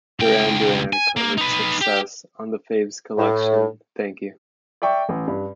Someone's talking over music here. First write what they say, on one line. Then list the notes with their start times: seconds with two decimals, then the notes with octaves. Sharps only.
Duran Duran covered "Success" on the faves collection "Thank You".
0.20 C#2 G5
0.93 G#5
1.17 A#3
1.38 D#4 B4
1.81 G4
3.17 A2
4.82 D5 E5 G5 C#6
5.09 A1
5.27 G2